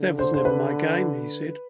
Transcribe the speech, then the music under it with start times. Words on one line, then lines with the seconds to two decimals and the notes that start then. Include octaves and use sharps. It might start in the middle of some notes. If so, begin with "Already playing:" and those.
"That was never my game," he said.
Already playing: D3
0.19 C5
0.34 C5
0.45 B4